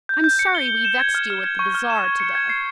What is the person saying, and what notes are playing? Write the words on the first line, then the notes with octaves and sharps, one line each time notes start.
I'm sorry we vexed you at the bazaar to-day.'
G6
G6
C#7
G7
G7
E7
G#6
F6
F6
G#6
C#6
F6
E7
G#6
C#7
G#6
C7